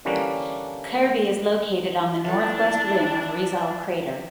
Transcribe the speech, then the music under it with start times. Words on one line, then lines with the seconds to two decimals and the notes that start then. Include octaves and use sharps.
Kirby is located on the northwest rim of Rizal crater.
0.05 D3 E3 G3 A#3 C#4 D4
2.24 E3 D4 E4 F4 A4 A5